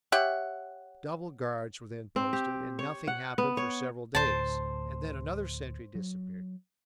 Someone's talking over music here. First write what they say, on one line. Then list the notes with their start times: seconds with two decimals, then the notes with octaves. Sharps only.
Double guards were then posted, and nothing happened for several days--and then another sentry disappeared.
0.12 G4 C#5 E5 F#5
2.16 C4
2.33 G4
2.79 C#5
3.07 F#5
3.38 B3
3.57 C#5
4.15 D2 A2 C5 A5
5.95 F#3